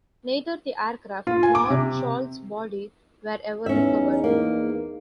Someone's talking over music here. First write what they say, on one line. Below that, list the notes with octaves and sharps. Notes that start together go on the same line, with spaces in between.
Neither the aircraft nor Scholl's body were ever recovered.
F4
G#5
D6
C3
E2 C#4 D#4 E5
A#3